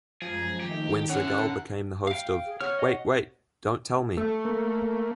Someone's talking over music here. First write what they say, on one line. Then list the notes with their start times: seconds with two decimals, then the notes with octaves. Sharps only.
When Sagal became the host of Wait Wait.. Don't Tell Me!
0.22 F#2 F3 G#3 G#4 A#5
0.60 D#3 A3 D#4 G4
1.10 D3 C#4 E4 A#4 F#5 A5
2.07 F5 G5
2.46 G#4
2.61 C#5 F#5 F6
2.79 D#5
4.17 A3
4.45 A#3